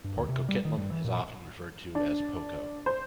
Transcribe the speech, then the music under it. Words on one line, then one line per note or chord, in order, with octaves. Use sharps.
Port Coquitlam is often referred to as PoCo.
G2
D2
C3
G3
D#3
G2
E3
A#2
D4
C5